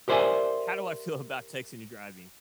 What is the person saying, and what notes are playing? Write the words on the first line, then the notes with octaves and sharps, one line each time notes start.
how do I feel about texting and driving?
G4 A#4 C5 D5 E5 G#5